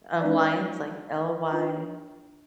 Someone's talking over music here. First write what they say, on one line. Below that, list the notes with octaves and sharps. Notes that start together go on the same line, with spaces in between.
um, Lyons, like L-Y
G#3 C#4 D#4 B4 D5
D4 F4 B4